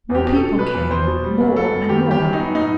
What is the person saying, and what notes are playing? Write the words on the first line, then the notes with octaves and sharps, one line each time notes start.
More people came--more and more.
E2
G4
B2
A4
B2
B2 B4
E2
E2 C5
B2
G3
F#2
B3 A4
F#2
D#3 G4
G3
G4
F#2
B3 D#4
A2 D#4